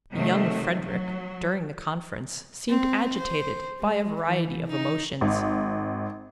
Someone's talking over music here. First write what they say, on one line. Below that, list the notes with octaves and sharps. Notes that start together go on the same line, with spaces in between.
The young Frederick, during the conference, seemed agitated by a variety of emotions.
C3 D#3 F#3 A3
F#3
C4
C5
G#3
E3
D#4
G#1